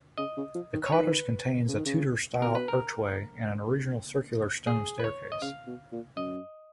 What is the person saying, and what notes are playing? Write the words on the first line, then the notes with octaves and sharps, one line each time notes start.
The cottage contains a Tudor-style archway and an original circular stone staircase.
C#3 D#5
C#3
F3
D#3
C#5
D#3 B4
C#3
D#3
C#3
B2 A#4
B4
A#4
G#4
B4
C#5
D#5
C#3 F5
B2
A#2
F#2 D#5